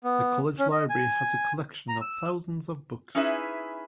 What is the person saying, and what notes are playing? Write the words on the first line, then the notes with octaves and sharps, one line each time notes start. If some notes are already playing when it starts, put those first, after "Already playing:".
The college library has a collection of thousands of books.
B3
C#4
D#5
G#5
A#5
E6
C#4 D#4 E4 G#4 B4 E5